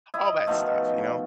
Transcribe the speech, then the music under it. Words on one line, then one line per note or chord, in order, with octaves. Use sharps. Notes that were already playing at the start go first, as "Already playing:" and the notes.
all that stuff, you know,
E4 D#5
B2 D#3 F3 A3